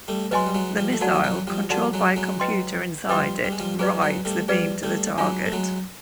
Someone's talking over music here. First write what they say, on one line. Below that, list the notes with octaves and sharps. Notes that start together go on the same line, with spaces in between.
The missile, controlled by a computer inside it, "rides" the beam to the target.
G3 A3
F#3 G#3 B4 D#5 G#5 C6
G3
F#3 G#3
F3 G3
A3
F#3 G#3 F#4 A4 D5 F#5 A5
F3
E3 F#3
F3 G3
F3 G3 F#4 A4 D5 F#5 A5
F#3 G#3
F#3 G#3
B4 D#5 G5 C6
F3 G3 B4 D#5 G5 C6
G3
G#3
F3 G3
F#3 G#3 G#4 B4 D5
F#3 G#3
G3 A3
F3 G3 G#4 B4 D5
G3 A3
F#3 G#3 D4 F4 G#4
A3
F#3 G#3